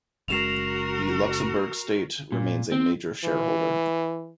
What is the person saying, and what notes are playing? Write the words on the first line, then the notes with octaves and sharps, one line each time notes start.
The Luxembourg State remains a major shareholder.
F#1 C#3 G#3 F#4 A#4 C7 E7 F7
A#2
C4
E3